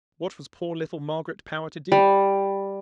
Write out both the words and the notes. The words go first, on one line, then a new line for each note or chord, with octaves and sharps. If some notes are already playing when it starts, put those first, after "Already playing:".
What was poor little Margaret Power to do?
G3